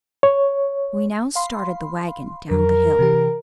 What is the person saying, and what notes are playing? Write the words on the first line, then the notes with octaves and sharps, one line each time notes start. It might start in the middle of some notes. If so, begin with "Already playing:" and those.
We now started the wagon down the hill.
C#5
F5 B5 C6
F2 F#3 A#4
C3 E3 G4